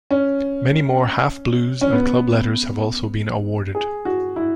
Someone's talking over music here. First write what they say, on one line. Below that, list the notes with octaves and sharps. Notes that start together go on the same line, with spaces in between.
Many more half blues and club letters have also been awarded.
C#4
C#4
B3
G#4
F#4
E4